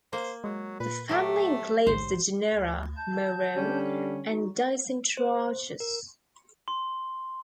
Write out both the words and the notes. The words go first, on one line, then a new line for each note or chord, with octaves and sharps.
The family includes the genera "Morone" and" Dicentrarchus".
A#3 C5
F#3 G#3
A#2 B4
F#3 A3 G4
A1 D2 G#2 C5
D2
A5 G6
D3 G3 C#4
D#4 F#4
C5
A#4
C6